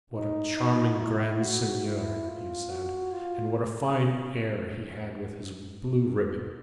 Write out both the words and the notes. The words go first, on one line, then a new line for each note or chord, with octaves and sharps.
"What a charming grand seigneur," he said, "and what a fine air he had with his blue ribbon!"
D#4
D#4
E4
F#4
E4
F4
F#4
F4